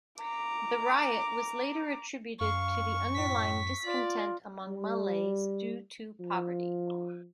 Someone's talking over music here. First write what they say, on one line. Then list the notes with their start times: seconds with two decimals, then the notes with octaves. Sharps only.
The riot was later attributed to the underlying discontent among Malays due to poverty.
0.21 A#5 D6
2.40 F#2 F5 C#6
3.14 A2 B6
3.85 F4 D5
4.68 G3
6.21 F3